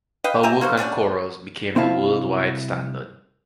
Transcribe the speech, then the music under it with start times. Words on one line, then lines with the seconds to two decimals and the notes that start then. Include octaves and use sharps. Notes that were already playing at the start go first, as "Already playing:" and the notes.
Her work on corals became the worldwide standard.
0.24 B4 D#5 F5 G5
0.43 G4 E5 G#5 A#5
0.61 A#3 F#4 C5 F5
0.77 D3 G3 C#4 D4
1.75 C2 C4 E4 F5 A5